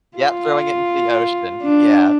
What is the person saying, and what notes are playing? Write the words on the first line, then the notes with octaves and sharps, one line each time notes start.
yep, throwing it into the ocean. Yeah.
F4
D4